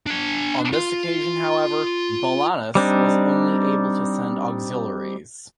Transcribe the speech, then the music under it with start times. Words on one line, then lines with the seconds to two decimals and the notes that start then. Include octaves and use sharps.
On this occasion, however, Bolanus was only able to send auxiliaries.
0.07 D4 G#5
0.73 F4 C6
2.75 G3 C4 D4 D#4